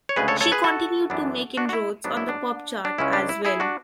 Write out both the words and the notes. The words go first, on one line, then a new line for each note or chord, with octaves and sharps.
She continued to make inroads on the pop chart, as well.
C#5
D2 C#3 G#3 G#4 B4
A4 C#5
A4 C#5
G#4 B4
F#4 A4
F#2 E3 B3 D4
D4 F#4
F#4
E4
G#2 F#3 B3 D4
E4
D4
D4
C#2 C#3 G#3 C#4 E4
D4
E4
E4 G#4
D4 F#4